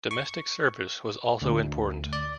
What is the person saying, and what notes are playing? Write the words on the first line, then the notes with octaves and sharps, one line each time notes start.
Domestic service was also important.
C#6
D2
D5